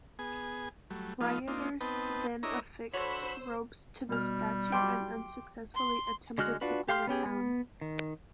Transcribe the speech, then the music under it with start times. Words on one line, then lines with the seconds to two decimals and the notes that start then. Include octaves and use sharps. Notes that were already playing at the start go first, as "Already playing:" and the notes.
Rioters then affixed ropes to the statue and unsuccessfully attempted to pull it down.
0.19 B3 G#4 G#5
0.90 F#3 G3 A3
1.21 F3 A3 B3 D#4 F4
1.48 A#3 C4 D4 D#4 F4
1.81 B3 C4 D#4 B4 G5 A5
2.43 D4 E4 A#4 C#5 D#5 A#5
2.93 D3 F#4 C5 C#5 B5 E6
4.09 B2 G3 F6
4.72 F#3 G4 G5 C6 D6
5.74 C6
6.38 D3 G#3 F#4 F6 F#6
6.61 D4 F4 F#4 B4
6.89 G4 F5 G5 C6 F6
7.07 B3 C#4 G4 G#4
7.26 B3
7.81 D#3